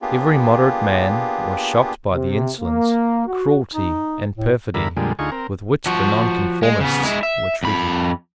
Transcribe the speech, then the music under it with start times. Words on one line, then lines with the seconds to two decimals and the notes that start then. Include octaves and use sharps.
Every moderate man was shocked by the insolence, cruelty, and perfidy with which the Nonconformists were treated.
0.02 A#3 B3 D4 F4 G4 G#4
2.11 C3
2.61 A#3
3.26 F#4
3.74 D#4
4.37 A2
4.74 G2 D3 E4 A#4 B5
4.97 F2 A#2 D3 G3 G#3
5.19 D2 D#4 F4 G#4 C#6
5.32 C4 A#4
5.86 F3 F#4
6.63 G#3
6.80 C#3 B3
7.03 G#3 E4
7.23 E5
7.63 F2 B5